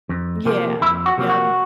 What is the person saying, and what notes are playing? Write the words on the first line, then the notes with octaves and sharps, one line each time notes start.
Yeah. Yep.
F2
C3 F3 A#3
F2 E4
F#4
C3 F3 A#3
F#4